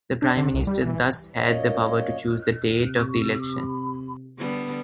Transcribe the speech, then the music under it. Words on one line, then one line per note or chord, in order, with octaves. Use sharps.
The Prime Minister thus had the power to choose the date of the election.
D4
D3
C2
G3
E3
F#2 A#2 A#3 C#5 D#5
C3
D3 G3 B3